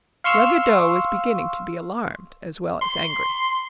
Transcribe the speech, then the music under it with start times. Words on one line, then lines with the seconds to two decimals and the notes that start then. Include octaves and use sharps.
Ruggedo was beginning to be alarmed as well as angry.
0.24 F5 C6 C#6 E6 F6
2.82 C6